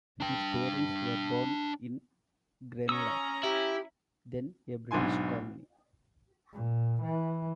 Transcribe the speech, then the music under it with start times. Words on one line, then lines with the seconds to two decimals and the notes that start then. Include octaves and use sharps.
His parents were born in Grenada, then a British colony.
0.21 D4 G5
2.89 C#4 A#5 C#6 D#6 E6
3.43 E4 G4
4.91 B1 G#2 D4 G#5 C6
6.53 A#2
7.02 E3